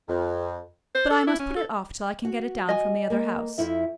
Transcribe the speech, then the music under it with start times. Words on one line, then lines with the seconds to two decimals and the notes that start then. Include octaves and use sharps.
"But I must put it off till I can get it down from the other house."
0.09 F2
0.95 C5
1.10 A4
1.27 E4
1.39 C#4
1.56 A4
2.25 F#4
2.69 D#5 G#5
3.10 A#3
3.58 F2 E4 E5